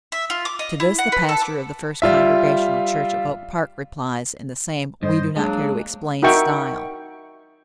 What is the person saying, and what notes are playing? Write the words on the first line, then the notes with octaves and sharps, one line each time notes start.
To this the pastor of the First Congregational Church of Oak Park replies in the same we-do-not-care- to-explain style.
E5
F4
D6
D#5
E4
F#5
B4
A4
D6
G3 F4 E5
G2 C5 D#5
F#3 G#3 A#3 D4
D#4 F#4 A#4 E5 G5 C#6